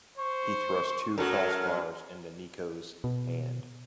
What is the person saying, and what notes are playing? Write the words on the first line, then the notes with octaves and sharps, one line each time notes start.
He thrust two cross bars into Nico’s hand.
C5 C#6
F#2 F#3 F#4 A4 A#4 F#5 F6
B2